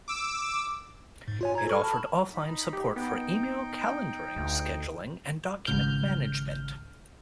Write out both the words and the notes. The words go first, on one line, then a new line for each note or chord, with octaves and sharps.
It offered offline support for email, calendaring, scheduling, and document management.
D6 E6
G#2
F4 C#5 G#5
A#5 G#6
A4 C#6 F6
A5 B5
D#4 B5
G4
B3 D#4 G5
D2
G#1 C#2 F6 G6